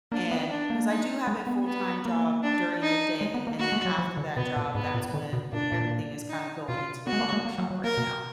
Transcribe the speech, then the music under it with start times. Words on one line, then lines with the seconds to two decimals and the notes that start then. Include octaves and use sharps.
and 'cause I do have a full time job during the day, and then, after that job, that's when everything is kinda going into the barbershop right now.
0.12 A#3 D4
0.31 B3
0.50 D4
0.70 A#3
0.89 D#4
1.27 G#3
1.47 B3
1.67 B3
2.05 A#3
2.43 D4
2.82 D#4
3.21 G#3
3.34 B3
3.47 A#3
3.59 A#3 F#4
3.72 G#3
3.85 F#3
3.99 F3
4.17 D3
4.37 B2 B3
4.56 A#2
4.75 G#2 B3
4.95 A#2
5.14 D3
5.33 B2
5.52 A#2 D4
5.72 A#2
6.30 D#4
6.68 B2 F4
7.07 B3 F#4
7.13 G#3
7.20 A#3
7.33 G#3
7.45 A#3
7.59 F#3
7.71 F#3
7.84 A#3 A#4
7.97 B2